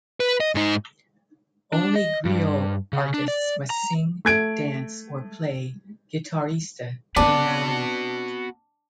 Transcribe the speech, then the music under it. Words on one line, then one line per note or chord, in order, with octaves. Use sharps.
Only griot artists must sing, dance or play guitariste in Mali.
B4
D#5
G#2 D#4
D4
D#5
G2
C#3
D4
D5
A#5
A3 G#6 D7
B3 C4 D4 F#4 B4 D6